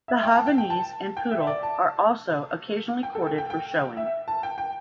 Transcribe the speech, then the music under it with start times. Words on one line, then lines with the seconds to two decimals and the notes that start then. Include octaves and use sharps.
The Havanese and Poodle are also occasionally corded for showing.
0.08 E5
0.23 G5
0.35 A5
0.47 G5
0.58 G5
0.70 A5
1.17 G5
1.31 E5
1.47 D5
1.63 A5
3.03 G5
3.15 A4
3.27 G5
3.38 G5
3.50 G5
3.97 E5
4.28 A5
4.43 G5
4.58 G5